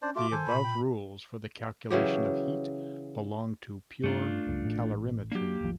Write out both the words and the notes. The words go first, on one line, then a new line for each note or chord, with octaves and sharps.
The above rules for the calculation of heat belong to pure calorimetry.
C#4 D4 C5 D5
A3 F4 F#4 D6
D#3 A4 C5 G#5
A#2 B5
G5
C#3 E3 F#3 G4
G2 A3 C#4 D4 F4
F#1 C#2 G2
A1 A2
F#3 A#3 D4 G4
D#1 G#1 F3